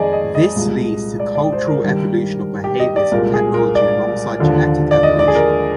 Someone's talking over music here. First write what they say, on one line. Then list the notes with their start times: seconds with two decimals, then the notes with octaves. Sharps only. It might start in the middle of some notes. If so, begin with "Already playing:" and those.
This leads to cultural evolution of behaviors and technology alongside genetic evolution.
Already playing: F2 D#3 G#3 G#4 D5 D#5
0.13 D#5
0.35 D#5
0.56 C2 A#2 G#3
1.20 D5
1.35 D5
1.52 C5
1.67 A#4
1.84 G2 D#3 G3
2.64 G4
2.80 D#5
2.96 D5
3.12 C2 A#2 G#3 A#4
3.33 G#4
3.54 A#4
3.75 D5
4.39 D#2 D3 F3
4.91 D5
5.03 D#5
5.19 D5
5.28 G#4
5.35 A#4